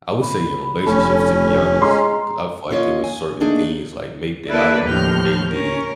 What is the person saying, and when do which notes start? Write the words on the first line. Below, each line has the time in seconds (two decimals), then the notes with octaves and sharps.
I would say in relationships, to be honest, 'cause I feel like it was certain things, like, maybe that I didn't do or they did
0.22 B5
0.86 F1 A3 C#4
1.82 G#3 A#5 C6
2.70 A#3 C#4 F4 C#5 D#5
3.04 G#5
3.40 A3 A#3 D4 D#4 G#4
4.48 A#3 E4 A4 B4 D5 E5
4.84 D#2 A2 F3 F6 G6
5.49 C#4 A#4